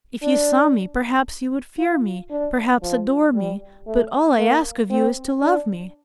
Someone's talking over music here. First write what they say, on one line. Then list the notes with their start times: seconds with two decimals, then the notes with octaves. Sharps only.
If you saw me, perhaps you would fear me, perhaps adore me, but all I ask of you is to love me.
0.23 D4
1.79 F4
2.31 D4
2.83 F3
3.35 G3
3.87 A3
4.39 A#3
4.91 C4
5.43 D4